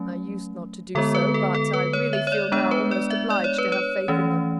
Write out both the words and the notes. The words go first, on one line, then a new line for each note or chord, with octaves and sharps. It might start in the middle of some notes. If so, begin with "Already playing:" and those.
"I used not to do so, but I really feel now almost obliged to have faith in them."
Already playing: F#3 A3 C#4
D3 G#3 B3 A4
B4
A4
A4
B4
C#5
E5
C#5
D5
G#3 B3 D4 C#5
B4
D5
E5
D5
C#5
B4
C#5
E3 A3 C#4